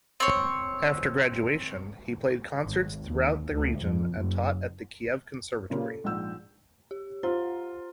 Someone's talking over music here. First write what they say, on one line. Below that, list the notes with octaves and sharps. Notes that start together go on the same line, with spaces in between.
After graduation, he played concerts throughout the region and taught at the Kiev Conservatory.
C4 C#5
G#1
D#2
D2
F2
F#1
A#2 C#3 A#3 F4 G4
A4
A#1 G#2 F#5 E6 G6
G4
F4 C5 A#5